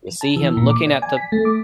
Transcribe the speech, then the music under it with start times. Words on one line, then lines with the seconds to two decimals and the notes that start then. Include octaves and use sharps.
you see him looking at the
0.21 A5
0.36 E3
0.57 A#2
0.70 D6
0.87 D5
1.02 G#5
1.17 B6
1.32 A3
1.45 D6